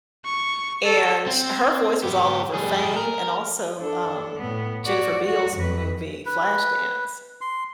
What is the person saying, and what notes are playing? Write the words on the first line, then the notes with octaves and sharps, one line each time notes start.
and, ch her voice was all over "Fame" and also, um, Jennifer Beals movie, "Flashdance."
C#6
A4
C4
B3 G4
G3 G#4
A#4
D4 A4
A2 B3
F#4 D5
F#4
F2 B4
B4
C6